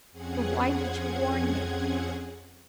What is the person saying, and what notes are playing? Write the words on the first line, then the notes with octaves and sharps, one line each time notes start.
But why did you warn me?
F2 C4 C#4 G#4 F#5 G#6